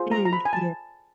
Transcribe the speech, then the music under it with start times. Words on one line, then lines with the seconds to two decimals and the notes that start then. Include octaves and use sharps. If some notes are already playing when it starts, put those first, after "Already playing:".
Mm, yeah.
Already playing: F4 G#4 C5
0.11 A#5
0.25 A#5
0.33 B5
0.45 G#5
0.53 A5